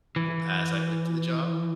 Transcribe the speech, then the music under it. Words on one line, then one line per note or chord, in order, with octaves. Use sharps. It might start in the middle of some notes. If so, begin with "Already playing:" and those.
w as I went to the job.
E3